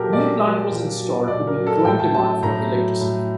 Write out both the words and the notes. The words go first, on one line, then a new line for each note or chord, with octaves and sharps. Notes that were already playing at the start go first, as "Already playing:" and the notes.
New plant was installed to meet growing demand for electricity.
Already playing: A#2 F#3 G4 A4 A#4
A#2 D5
F#3
A#2
F#3
A#2 D5
A#4
F#3
A4
A2 G5
A5
F#3 A5
A2 A#5
F#3
A2